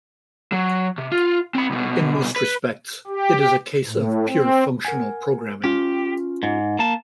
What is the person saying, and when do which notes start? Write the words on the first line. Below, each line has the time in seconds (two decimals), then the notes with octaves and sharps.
In most respects, it is a case of pure functional programming.
0.52 F#3
0.98 C3
1.12 F4
1.55 C4 B5
1.70 C2 B2
2.36 B4
3.07 G4
3.84 A2
4.26 C4
4.85 A#4 F#5 G#5
5.64 C#4 F4 G4
6.43 G#2
6.79 A#3 A5